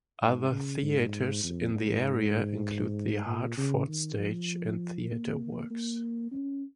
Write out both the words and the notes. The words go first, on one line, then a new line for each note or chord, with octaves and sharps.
Other theaters in the area include the Hartford Stage and TheatreWorks.
G#2
C#3
G#2
F2
G#2
A#2
C#3
D#3
F3
A#3
A#3
C#4